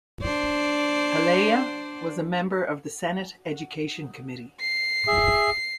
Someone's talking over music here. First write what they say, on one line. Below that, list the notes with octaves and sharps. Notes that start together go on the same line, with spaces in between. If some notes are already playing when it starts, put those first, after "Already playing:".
Palaia was a member of the Senate Education Committee.
D4 C5 D5
C7
G#4 E5